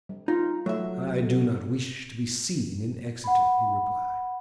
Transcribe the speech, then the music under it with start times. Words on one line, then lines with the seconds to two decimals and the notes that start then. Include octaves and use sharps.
"I do not wish to be seen in Exeter," he replied.
0.09 G3
0.28 D#4 F4
0.66 F#3 A3 E5
1.22 B3 A4
3.24 F#5 B5